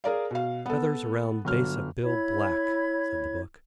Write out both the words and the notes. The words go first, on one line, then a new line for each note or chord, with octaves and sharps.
"Feathers around base of bill black," said the book.
G#4 A#4 D5 F5
B2 F5
B3 A4
G1 F#3 F6
E4 C#5 B5 G#6